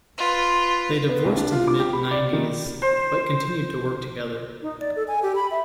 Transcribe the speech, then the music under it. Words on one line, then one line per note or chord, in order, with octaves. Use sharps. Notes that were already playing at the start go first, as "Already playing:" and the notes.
They divorced in the mid-nineties but continued to work together.
F4 B4
B3
C2
D4
F4
D6
G4
B5
D5
D#3
C5
D#4
D5
A4
G#5
G4
B5
E5